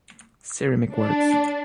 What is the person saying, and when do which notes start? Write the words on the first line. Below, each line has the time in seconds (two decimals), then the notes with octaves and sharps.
Ceramic works.
0.93 D4